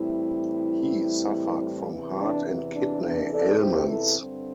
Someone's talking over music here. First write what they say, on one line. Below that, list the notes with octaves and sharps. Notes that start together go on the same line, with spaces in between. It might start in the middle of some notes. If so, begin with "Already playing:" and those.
He suffered from heart and kidney ailments.
Already playing: A2 E3 G3 C4 E4
E2 C3 E3
D4
D4
D4
A4 D5
G4 C5
E4 A4
G2 D3 C4